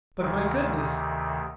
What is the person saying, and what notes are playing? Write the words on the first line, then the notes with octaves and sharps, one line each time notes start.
But, my goodness!
D2 C3 D#3